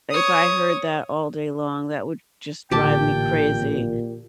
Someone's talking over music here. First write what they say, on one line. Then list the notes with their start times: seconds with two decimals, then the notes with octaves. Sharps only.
If I heard that all day long, that would just drive me crazy,
0.11 C#5 D#6
2.71 A1 A#2 D3 G4 G5 A5